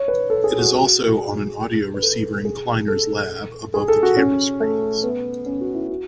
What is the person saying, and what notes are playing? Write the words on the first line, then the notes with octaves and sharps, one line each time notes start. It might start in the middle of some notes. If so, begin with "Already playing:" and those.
It is also on an audio receiver in Kleiner's lab, above the camera screens.
Already playing: C#5
B4
A4
G#4
F#4
F#4
G#4
B4
A4
G#4
A4
G#4
A4
F#4
C#4
A3
B3
C#4
F#4
E4
F#4